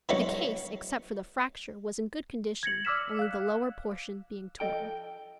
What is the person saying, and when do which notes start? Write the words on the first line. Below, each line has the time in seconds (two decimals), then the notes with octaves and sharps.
The case, except for the fracture, was in good condition, only the lower portion being torn.
0.09 E3 F#3 G#3 A3 B3 C#4
2.63 G#6 A#6 C#7 F#7
2.85 D5 D6 E6 F6 B6 E7
3.19 F5 F#6
4.60 F3 A4 D#5 G5